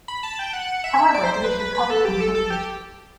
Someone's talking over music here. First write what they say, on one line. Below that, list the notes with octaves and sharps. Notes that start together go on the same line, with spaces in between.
However it is recovered completely.
B5
A5
G5
F#5
E5
D5
C5
C5
B4
B4
B4
A4
G4
A4
A4
G4